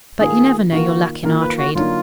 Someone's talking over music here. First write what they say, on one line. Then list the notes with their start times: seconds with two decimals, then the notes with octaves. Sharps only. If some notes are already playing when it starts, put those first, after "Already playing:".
But you never know your luck in our trade.
0.19 D#3 A#3 F4 G#4 A#4
0.72 D#3 A#3 F4 F#4 A#4
1.23 D#3 A#3 F4 A#4
1.41 B4
1.58 F#4
1.75 D3 F#3 A#3 D#4 F4